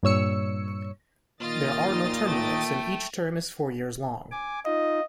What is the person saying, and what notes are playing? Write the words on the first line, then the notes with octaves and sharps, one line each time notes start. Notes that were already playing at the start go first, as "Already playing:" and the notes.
There are no term limits, and each term is four years long.
G2 A#2 C#5 E6 C#7
A#2 D#3 F4 D#5 F5 A6
A3 G5
G#5 D6
D#4 F4 D#5